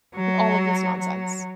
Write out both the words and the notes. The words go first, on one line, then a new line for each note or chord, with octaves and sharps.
with all of this nonsense,
F#3
F#3